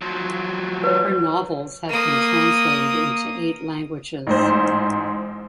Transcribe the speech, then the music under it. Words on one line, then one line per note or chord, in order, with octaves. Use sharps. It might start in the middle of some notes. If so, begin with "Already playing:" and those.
Her novels have been translated into eight languages.
F3 F#3
B4 C#5
A#3 D#6
A1 G#2 C5